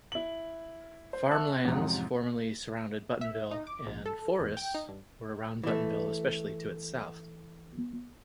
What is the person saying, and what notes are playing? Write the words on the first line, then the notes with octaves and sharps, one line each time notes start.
Farmlands formerly surrounded Buttonville and forests were around Buttonville especially to its south.
E4 F#7
C5
E5 F#5 A5 C#6 E6 F#6
A1 F2 G#2 C3
E5
D#4
D6
A#1
A4
E2
G5
D#4
G2
E3 A3